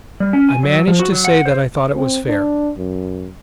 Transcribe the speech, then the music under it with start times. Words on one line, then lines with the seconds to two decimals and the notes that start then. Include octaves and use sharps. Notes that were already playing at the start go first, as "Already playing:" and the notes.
I managed to say that I thought it was fair.
0.20 G3
0.33 C#4
0.49 G#5
0.63 F#3
0.88 F3
0.99 F#4
1.12 F#3
1.25 F#5
1.46 C5
1.95 C4
2.28 D4
2.77 F#2